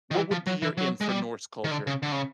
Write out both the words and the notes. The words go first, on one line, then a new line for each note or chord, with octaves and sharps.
what would be your in for Norse culture?
D#3
E3
F3
F#3
E3
F#3
G#3
G3
D#3
D3
C#3
D3
C#3